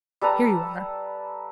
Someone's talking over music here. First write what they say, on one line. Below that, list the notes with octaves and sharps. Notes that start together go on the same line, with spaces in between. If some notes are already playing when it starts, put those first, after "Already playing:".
"Here you are!"
G3 A4 B4 A#5